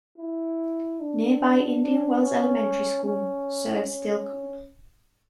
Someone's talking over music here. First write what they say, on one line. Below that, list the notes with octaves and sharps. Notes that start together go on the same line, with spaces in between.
Nearby Indian Wells Elementary School serves Dilkon.
E4
D4
D4
C#4
C#4
C#4